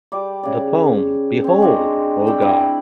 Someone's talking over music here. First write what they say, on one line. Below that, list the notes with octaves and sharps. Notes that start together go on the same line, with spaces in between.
The poem Behold, O God!
G3 D5 D6
C#3 D5
C4 C#4
G#3 D4 F#4
C4 D5 G5 B5
D4 E4 D5